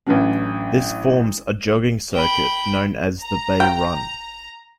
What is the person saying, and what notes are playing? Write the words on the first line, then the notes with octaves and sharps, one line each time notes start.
This forms a jogging circuit known as The Bay Run.
A1 E3 F#3 C#4 D4 B4
G5 B5
A#5
G5